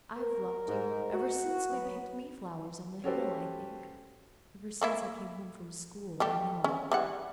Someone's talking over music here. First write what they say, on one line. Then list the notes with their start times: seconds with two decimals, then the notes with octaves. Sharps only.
I've loved you--ever since we picked mayflowers on the hill, I think--ever since I came home from school, I know.
0.17 A#4
0.67 G#2
1.12 F#4
1.68 F#3 B3
3.04 C#4 F#4 G4 A4 B4 C5
4.81 A3 A#3 E4
6.20 G3 A3 G4
6.64 C#4
6.92 G3 E4 F#5